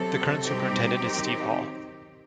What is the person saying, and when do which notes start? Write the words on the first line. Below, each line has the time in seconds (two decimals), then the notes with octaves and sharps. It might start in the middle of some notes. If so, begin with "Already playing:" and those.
The current superintendent is Steve Hall.
Already playing: C3 F#3 C4 A4
0.44 B2 G3 C4 D#4 G4
1.01 D#3 F#3 C4 D#4